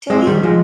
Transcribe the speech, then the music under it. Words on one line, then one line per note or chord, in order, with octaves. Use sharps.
to me
G#3 C4
D#3 G3
F3 G#3